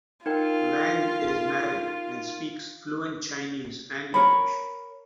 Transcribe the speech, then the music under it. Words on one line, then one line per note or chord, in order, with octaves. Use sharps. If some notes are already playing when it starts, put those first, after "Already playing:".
Wang is married and speaks fluent Chinese and English.
D#4 F4 A#4 G5
A#4 C#5 B5